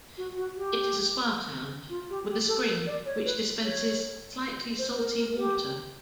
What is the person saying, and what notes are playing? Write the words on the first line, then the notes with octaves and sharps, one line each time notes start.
It is a spa town, with a spring which dispenses slightly salty water.
F#4
F#4
G4
F4
G4
G4
A4
A#4
D5
C#5
B4
C#5
C5
A#4
A#4
G4